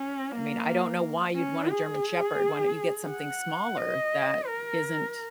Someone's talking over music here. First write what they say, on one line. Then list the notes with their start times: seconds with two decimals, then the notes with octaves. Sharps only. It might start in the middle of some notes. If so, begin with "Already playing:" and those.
I mean, I don't know why you'd want a German Shepherd. Why don't you get something smaller that isn't,
Already playing: C#4
0.32 A#3
1.36 C#4
1.70 G#4
3.09 F#5
3.77 D#5
4.46 A#4